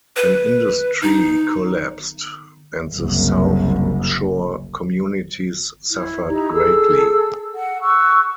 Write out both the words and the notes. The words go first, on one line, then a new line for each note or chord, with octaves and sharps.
An industry collapsed, and the South Shore communities suffered greatly.
B4
D#4
F#1 C2
E4
D#4 E4 G4 A#5
G#4 A4 E6
F#5
C#6 E6 F#6